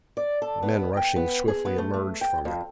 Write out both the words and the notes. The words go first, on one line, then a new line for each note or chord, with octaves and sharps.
Men rushing swiftly emerged from it.
D5
A4
B3
G5
B3
G#4
B3
A3
A3
G5
F2